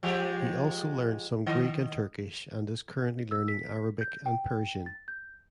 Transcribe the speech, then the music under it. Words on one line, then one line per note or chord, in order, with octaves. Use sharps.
He also learned some Greek and Turkish and is currently learning Arabic and Persian.
F3 G#3 G4
D#3 D#5
E6
B6
G6
G5
A6
G6